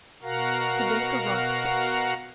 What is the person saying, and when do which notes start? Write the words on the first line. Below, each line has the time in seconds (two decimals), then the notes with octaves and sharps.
To Bake a Rock Fish.
0.22 B2 F#4 A#4 F5 F#5 A#5